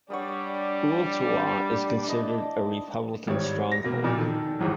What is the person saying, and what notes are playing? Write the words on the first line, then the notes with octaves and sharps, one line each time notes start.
Ooltewah is considered a Republican stronghold.
G3 D4 C#5 D5 F#5 D#6
E5 C6
E4 D#5 A5
G#1 G3 C#5
A#6
B2 A#3
F2 A#2 F3
D#3 A4
D1 G1 D#2